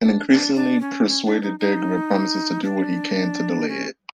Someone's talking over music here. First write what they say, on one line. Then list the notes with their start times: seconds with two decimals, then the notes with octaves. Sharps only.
An increasingly persuaded Degra promises to do what he can to delay it.
0.03 D4
0.29 D4
0.55 D4
0.81 C#4
1.07 C#4
1.25 D4
1.42 D#4
1.59 D#4
2.64 D4
3.68 C#4